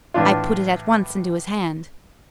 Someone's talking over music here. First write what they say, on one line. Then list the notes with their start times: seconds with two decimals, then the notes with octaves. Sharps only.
I put it at once into his hand.
0.14 A2 E3 D4 F4